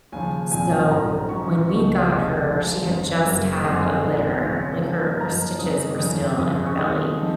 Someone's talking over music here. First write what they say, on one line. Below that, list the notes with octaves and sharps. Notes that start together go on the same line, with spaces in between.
So, when we got her, she had just had a litter, like her her stitches were still in her belly.
D#2 C#3 F3 G#5
A#1 A#2 F3 C4 G#5
A#1 G#2 F#3 C#4 A#5
G#2 D#3 F#3 C#4 C#6
C#2 C#3 F3 C4 D#4 C#6
F1 D#2 C#3 F3 C4 D#5
G#1 G#2 F3 G#3
F2 D#3 G#3 C#4
F#1 F#2 C#3 F#3 A#3 A#4
C5
F#2 F3 C4 D#4 G#4
A#1 G#2 D#3 G#3 A#4
D#2 C#3 G#3 C4 C#5
G#2 F3 A#3 C#4
F#2 F3 A#3 D#4 A#5
D#2 C#3 G#3 C4 D#4 D#6
F2 D#3 A#3 C#4 D#6
F2 C#3 G#3 C4 D#6
C#6
D#2 D#3 G#3 D#4 D#6
F3 C4 D#4